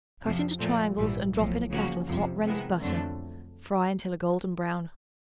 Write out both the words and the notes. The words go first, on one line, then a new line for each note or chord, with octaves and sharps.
Cut into triangles and drop in a kettle of hot rendered butter; fry until a golden brown.
F2 C3 F3
A#2 F3 A3 C4
A#1 G#2 E3 G3
B1 A2 F3
C#3 F3 A#3 C#4 F#4
F2 C3 F3
C3 D#3 G#3 B3 E4
F2 D3 F#3 A3 D4